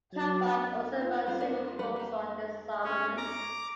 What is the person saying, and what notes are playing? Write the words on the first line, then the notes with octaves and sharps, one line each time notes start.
Talbott also wrote several books on disarmament.
F#3
F4
G3 C4 F4
A#3 C4 D4
F4 A4
G3 A3 B4 F#5
A#3 G4
C#4
A#5 D6